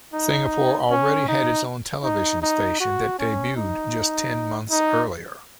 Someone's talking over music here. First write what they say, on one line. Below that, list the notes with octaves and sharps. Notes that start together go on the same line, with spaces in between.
Singapore already had its own television station that debuted just ten months earlier.
D#4
C#4
D#4
D#4
D#4
F#4
C#4
D#4
D#4